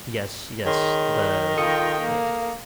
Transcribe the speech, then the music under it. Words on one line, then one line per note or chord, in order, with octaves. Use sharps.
Yes, yes. The yeah.
D#3 G#4 C#5 C6
F4 A4 G5 D#6 C#7
A#3